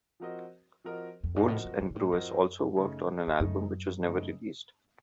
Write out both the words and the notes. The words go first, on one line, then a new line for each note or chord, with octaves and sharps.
Woods and Brewis also worked on an album which was never released.
F3 C4 F#4 A#4 D#5
F3 C4 F#4 A#4 D#5
F2
F#2
A2 F3 C4 F#4 A#4 D#5
F#2
F2
A#2
A2
F#2 F3 C4 F#4 A#4 D#5
C#3 A3 D#4
F2
F#2 C#3 A3 D#4
C#3 A3 D#4